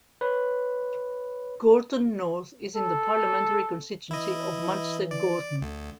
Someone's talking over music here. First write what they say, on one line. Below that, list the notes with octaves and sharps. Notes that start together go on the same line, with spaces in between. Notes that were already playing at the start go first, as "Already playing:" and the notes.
Gorton North is in the parliamentary constituency of Manchester Gorton.
B4 C#5
A4
E3 E4 D#5
D5
D2 D3